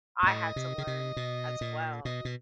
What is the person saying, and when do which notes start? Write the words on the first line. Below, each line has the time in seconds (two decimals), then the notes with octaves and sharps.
I had to learn as well.
0.23 A#2
0.27 A2 D#5
0.56 C3
0.78 C#3
0.87 C3
1.17 B2
1.61 A#2
2.05 B2 D#5
2.25 B2